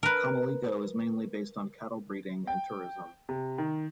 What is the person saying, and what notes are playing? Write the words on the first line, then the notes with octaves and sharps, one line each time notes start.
Comelico is mainly based on cattle-breeding and tourism.
A#4 B4
G5
C3
D#3